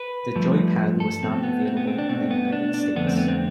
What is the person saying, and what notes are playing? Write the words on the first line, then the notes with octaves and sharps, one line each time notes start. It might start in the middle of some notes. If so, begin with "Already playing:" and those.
The Joypad was not available in the United States.
Already playing: B4
G2 F3 A3
A4
B2 A3 C4
B3
C4
B3
C4
D4
B2 A3 C4
B3
D4
D4
F2 D3 A3 B3
C4
B3
C4